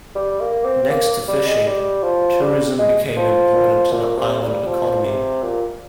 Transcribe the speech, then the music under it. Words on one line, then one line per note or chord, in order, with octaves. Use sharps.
Next to fishing, tourism became important to the island economy.
G3
A#3
C4
A#3
G3
G#3
G3
F3
G3
G#3
F3
A#2
C3
G3
F3
C3
A#2